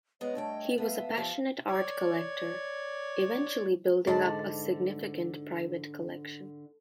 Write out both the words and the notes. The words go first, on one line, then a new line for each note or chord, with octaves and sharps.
He was a passionate art collector, eventually building up a significant private collection.
G#3 B3 C#5 D#5
G2 A3 G5
B3 E5 F5 A5
F3 G4
C#5 D5
G#2 D3 D5 A5